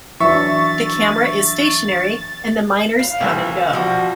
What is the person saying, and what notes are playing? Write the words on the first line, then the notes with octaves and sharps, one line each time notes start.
The camera is stationary and the miners come and go.
E3 F#3 D4 E5 C#6 A6
F5
C2 E3
F3 G3 F#4